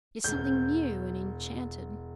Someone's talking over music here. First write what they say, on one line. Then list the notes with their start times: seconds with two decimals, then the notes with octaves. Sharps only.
It is something new and enchanted.
0.24 E1 G6